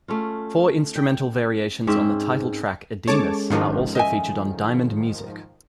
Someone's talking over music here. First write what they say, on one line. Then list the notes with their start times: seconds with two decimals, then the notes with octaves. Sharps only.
Four instrumental variations on the title track "Adiemus" are also featured on "Diamond Music".
0.08 A3 C#4 F4
0.96 G5
1.87 G#2 C4 C#4 E5
3.07 G#3 C#4 A4 C#5 A5 D6
3.50 G#2 D#3 F3 D4 F4 F#4
3.95 D#5 E5 G#5